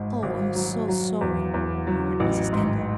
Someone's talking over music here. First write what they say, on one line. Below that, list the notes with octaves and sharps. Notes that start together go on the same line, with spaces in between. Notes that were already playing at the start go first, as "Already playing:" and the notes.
"Oh, I'm so sorry," murmured Mrs. Kendall.
Already playing: G#1 G#2
G#1
F#3
F#3
E2
E2
F#3
A1
G#2